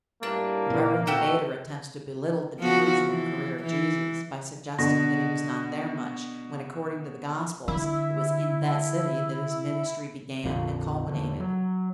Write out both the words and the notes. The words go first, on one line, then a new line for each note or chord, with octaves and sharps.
The Reverend debater attempts to belittle the Jerusalem career of Jesus, by suggesting that he was not there much, when according to the Gospels, it was in that city that his ministry began and culminated.
A2 G3 A#3 D4
A#2 E3
C3 F#4 G4 A4
F3 B3 F#4
E3
E3
B2 D3 A#6
D3 E4
A#1 F2 A#2 D3
E2 D3
F#3